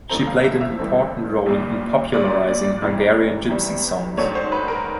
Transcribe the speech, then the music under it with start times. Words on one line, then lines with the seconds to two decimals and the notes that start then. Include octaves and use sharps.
She played an important role in popularizing Hungarian gypsy songs.
0.09 A1 G2 E3 A3 C4 A#5
0.27 F5
0.44 E5
0.61 E5
0.78 A1 G2 E3 A3 C4
1.46 A#1 A#2 G3
2.14 A#1 A#2 G3 D5
2.30 D5
2.48 D5
2.64 D5
2.82 F1 E2 C3 E3 G3
3.49 F1 E2 C3 E3 G3
4.17 G#2 D#3 F#3 A3 D4 C#5
4.35 C5
4.52 B4
4.68 A#4